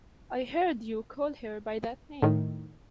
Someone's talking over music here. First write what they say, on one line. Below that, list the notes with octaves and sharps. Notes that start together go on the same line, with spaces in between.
I heard you call her by that name.
A2 D#3